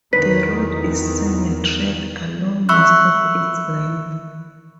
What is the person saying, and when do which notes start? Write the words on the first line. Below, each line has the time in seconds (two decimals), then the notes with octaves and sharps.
The road is single track along most of its length.
0.13 E2 D#3 B4 B6
2.69 E5 B5 C#6 E6 F#6